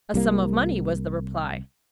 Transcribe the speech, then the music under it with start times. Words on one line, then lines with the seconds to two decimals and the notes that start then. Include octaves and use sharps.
"A sum of money," was the reply.
0.14 C2 G3 A#3